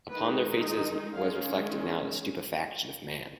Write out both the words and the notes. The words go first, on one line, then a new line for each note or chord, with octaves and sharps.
Upon their faces was reflected now the stupefaction of the man.
D#3 G#3 D#4 B4
D#5
D#3 G#3 C#4 F5